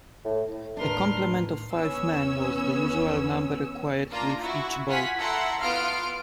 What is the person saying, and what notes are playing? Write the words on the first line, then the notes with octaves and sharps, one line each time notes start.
A complement of five men was the usual number required with each boat.
A2
D#2 A2 D4 A#4 B4 C6 F6
E2 B3 C#4 E6
A#3 D4 F4 A#5
E4 F#4 C#6
F4 F#5 G#5 B6
E4 A4 E5 F#5 A#5 C6
B3 F4 F5 C6 F6 D7